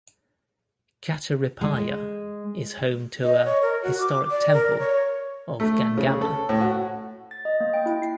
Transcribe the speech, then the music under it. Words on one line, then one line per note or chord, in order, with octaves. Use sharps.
Kataripalya is home to a historic temple of Gangamma.
G#3
D#5
C#5
A#4
F#4
D6
D5
A#4
C#5
A3
C#3
A4
A2
F#4
A6
D#5
A#3
G5
E4
C7